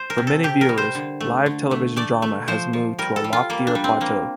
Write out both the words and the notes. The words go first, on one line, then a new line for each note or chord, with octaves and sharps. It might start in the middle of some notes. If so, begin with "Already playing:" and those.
For many viewers, live television drama had moved to a loftier plateau.
Already playing: C5
A#4
C3
A4
C3 G4
A#4
G3
C5
D3
A3
D3
A3
A3 D5
A3
F3 C5
F3
G3 A#4
A4
G3
F4
G3 A#3
D4
G3
C4
G3 A#3